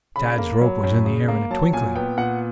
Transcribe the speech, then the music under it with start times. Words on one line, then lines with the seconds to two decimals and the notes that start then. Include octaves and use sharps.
Tad's rope was in the air in a twinkling.
0.16 C#3 B5
0.38 A#3
0.61 F#3
0.84 F#2
1.05 C#3
1.28 A#3
1.51 F#3 A5
1.73 A#2 G#5
1.95 B3 G5
2.17 A#2 F#5